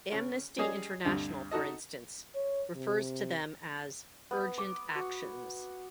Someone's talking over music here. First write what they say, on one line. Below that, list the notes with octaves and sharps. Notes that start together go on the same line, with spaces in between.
Amnesty International, for instance, refers to them as "Urgent actions".
C#3
G3 C#4 G#4 D#5 G#5
D2 G2 C3
D#4 F#4 A4 D#5
C#5
C3
B3
D6
F#4